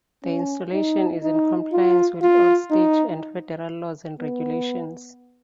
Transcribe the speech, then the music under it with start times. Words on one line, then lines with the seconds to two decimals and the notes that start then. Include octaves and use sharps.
The installation is in compliance with all state and federal laws and regulations.
0.24 C#4
0.73 D#4
1.23 D#4
1.72 F4
2.22 F4
2.71 D#4
4.20 B3